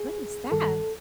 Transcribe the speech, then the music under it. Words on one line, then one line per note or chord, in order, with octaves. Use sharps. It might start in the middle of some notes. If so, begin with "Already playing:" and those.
What is that?
Already playing: G#4
G2 D#3 G3 A4